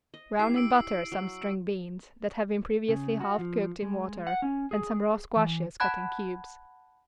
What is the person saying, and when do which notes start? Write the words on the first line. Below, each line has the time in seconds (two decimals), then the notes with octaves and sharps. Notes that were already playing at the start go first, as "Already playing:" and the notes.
Brown in butter some string beans, that have been previously half cooked in water and some raw squashes cut in cubes.
0.14 D#5
0.39 E4 G4 C7
0.56 E6 D7
1.12 F#3
2.88 C#3
3.21 F#4
3.38 F3
3.82 G#3
4.27 F#5
4.42 C#4
4.71 G#4
5.36 E3
5.80 F#5 A5 B5 F#6 G#6